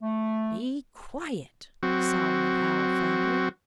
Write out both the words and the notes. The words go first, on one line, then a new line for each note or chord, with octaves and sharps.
"Be quiet!" Solomon Owl thundered.
A3
F#3 C4 F#4